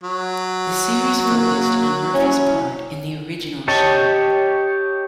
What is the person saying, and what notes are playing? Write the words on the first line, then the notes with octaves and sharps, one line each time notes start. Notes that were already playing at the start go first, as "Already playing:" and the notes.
The series focused on Murphy's part in the original show.
F#3
A#3
C#4 E4
G4 C#5 D#5 A5